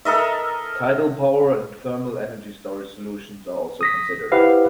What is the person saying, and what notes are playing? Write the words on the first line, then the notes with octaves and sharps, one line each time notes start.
Tidal power and Thermal energy storage solutions are also considered.
A4 A#4 D#5 E5
D#6 A#6 B6
E4 G4 B4 C5 F5 F#5